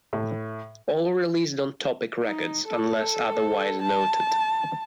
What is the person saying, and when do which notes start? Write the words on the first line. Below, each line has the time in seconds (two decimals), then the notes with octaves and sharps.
All released on Topic Records unless otherwise noted.
0.13 A2
2.23 D#4
2.67 A4
3.81 A5